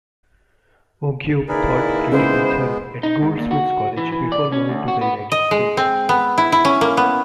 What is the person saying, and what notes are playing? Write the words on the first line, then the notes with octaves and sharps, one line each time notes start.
Oguibe taught critical theory at Goldsmiths College before moving to the United States.
D#3 A#3 E4 G#4 A#4 B4 D5
C#3 G#3 B3 C5
D#4
G#2
A#2
F#4
E3
E3
D5
C#4
D2
F#4
B3
D#5
G#3
C4
B3
E4
E4
C#4
A#3
B3